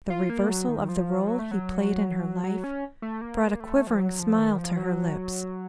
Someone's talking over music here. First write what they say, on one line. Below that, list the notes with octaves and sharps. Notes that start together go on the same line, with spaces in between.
The reversal of the role he played in her life brought a quivering smile to her lips.
F4
A#3
F#3
D#3
F3
F#3
A3
F#3
F#3
C#4
A3
A#3
A3
F3
F#3
F3
D#3
F3
F#3